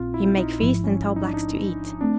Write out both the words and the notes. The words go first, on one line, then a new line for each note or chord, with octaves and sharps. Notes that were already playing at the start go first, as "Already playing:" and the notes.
He make feast and tell Blacks to eat.
Already playing: A#1 A#2 C4 F4
E4
D#4
A1 G#2 F3 E4
C#4
E4
D#4
D4
D#4
A3 C4 D4